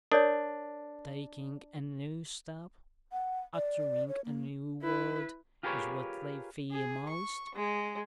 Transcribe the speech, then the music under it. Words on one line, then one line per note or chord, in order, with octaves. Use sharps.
Taking a new step, uttering a new word is what they fear most....
D4 A#4 C#5 D5
F#5
D5
C#5
A#3
E4 B4
F4 G4 G#4 A#4 B4 C#5
G#4
C#6
G#3